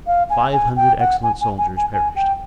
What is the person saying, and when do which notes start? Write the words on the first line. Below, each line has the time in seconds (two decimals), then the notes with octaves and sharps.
Five hundred excellent soldiers perished.
0.07 F5
0.30 G#5
0.53 G#5
0.77 G5
1.00 F#5
1.23 G#5
1.41 G#5
1.58 G#5
1.77 G#5
1.93 G#5
2.16 G5